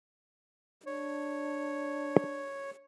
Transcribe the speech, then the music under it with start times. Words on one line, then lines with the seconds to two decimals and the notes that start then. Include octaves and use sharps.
Ford introduced flexibility into mass production, so that Fordism could continue to evolve.
0.86 D4 C#5